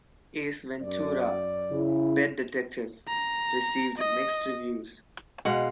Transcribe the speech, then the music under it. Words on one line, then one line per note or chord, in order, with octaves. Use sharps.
"Ace Ventura: Pet Detective" received mixed reviews.
F#2 D5
C#3 E4
A#5
D#5
B2 G#3 F5 F#5